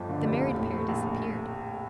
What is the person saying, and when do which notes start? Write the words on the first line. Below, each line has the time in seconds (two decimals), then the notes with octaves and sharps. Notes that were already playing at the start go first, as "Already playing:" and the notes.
The married pair disappeared.
Already playing: G1 F2 F3
0.09 D3
0.25 F1
0.41 A#1
0.56 A2
0.72 A3
0.89 A#1